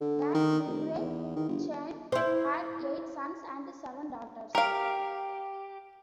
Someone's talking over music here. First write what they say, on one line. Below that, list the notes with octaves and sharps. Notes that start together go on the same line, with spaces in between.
The "Divrei Chaim" had eight sons and seven daughters.
D3
D#3
F1
E2
D#3
G1
E4 C5
G4 A#4 F5